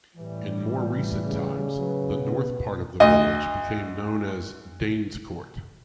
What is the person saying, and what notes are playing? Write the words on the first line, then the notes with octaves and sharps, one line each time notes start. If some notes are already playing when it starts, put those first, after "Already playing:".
In more recent times, the north part of the village became known as "Danescourt".
A2 E3 G3
C#3
F#3 B4
B2
D2 D#5